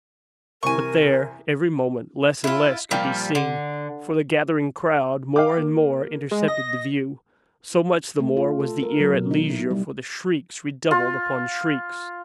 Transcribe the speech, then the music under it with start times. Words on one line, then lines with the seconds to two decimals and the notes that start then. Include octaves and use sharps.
But there, every moment, less and less could be seen, for the gathering crowd more and more intercepted the view;--so much the more was the ear at leisure for the shrieks redoubled upon shrieks.
0.63 C2 C3 E3 A#4 G#5 C#6
2.44 E4 F4
2.91 A#2 F3 G3 A#3
3.35 D3
5.36 F5 G5 D6
5.57 A#3
6.31 G#3
6.48 D#5 A#6
8.20 A3
8.37 F4
8.60 A4
8.83 A#4
9.00 F#3
9.14 B2
9.31 D#4
9.50 E4
9.71 G3
10.91 F4